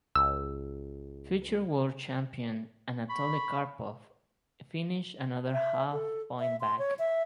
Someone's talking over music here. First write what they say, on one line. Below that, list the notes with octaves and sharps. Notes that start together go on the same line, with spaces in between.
Future world champion Anatoly Karpov finished another half point back.
C#2 E6
B5 C#6
E5
A4
E5
C6
C#5
E5